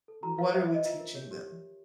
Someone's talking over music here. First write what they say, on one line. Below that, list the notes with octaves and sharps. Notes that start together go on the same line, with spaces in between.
"What are we teaching them?"
A4
F#4 A#5
B4 F5
C5 E5
E5
C5 D#5
F4 E5
A#4
C#5
G4